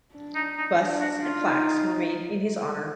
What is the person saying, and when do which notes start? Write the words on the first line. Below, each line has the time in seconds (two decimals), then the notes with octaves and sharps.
Busts and plaques were made in his honor.
0.14 D4
0.35 D#4
0.57 D#4
0.78 D4
1.00 F#4
1.21 F4
1.43 D#4